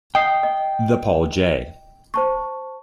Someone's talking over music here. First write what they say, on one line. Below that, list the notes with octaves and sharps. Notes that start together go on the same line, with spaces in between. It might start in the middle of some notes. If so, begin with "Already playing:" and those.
The Paul J.
D#5 G5 D#6 C7
D#5
C5 A5 C#6